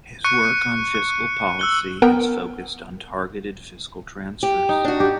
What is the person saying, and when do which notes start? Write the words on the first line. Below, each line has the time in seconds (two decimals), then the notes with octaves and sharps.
His work on fiscal policy has focused on targeted fiscal transfers.
0.24 C#6 F#6 C#7
0.95 F#6
1.59 E6 F#6 G7
2.02 B3 A#4 G5
4.43 G4
4.69 D#4
4.84 D4 F#4
5.00 G4